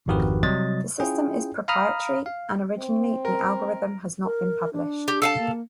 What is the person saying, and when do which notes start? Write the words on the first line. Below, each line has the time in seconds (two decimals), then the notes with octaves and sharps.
The system is proprietary and originally the algorithm has not been published.
0.08 G#1 F2 D#3 F#4 G4 B4
0.43 C3 F#3 G3 D#5 A6
1.00 C#4 E4 F4 G#4 G5
1.68 F5 A#5 B5 D#6 F6
2.26 F5
2.79 C4
3.25 A#4
4.25 A#4
4.73 D4
5.08 G4
5.22 A4 F5 A5
5.39 A#3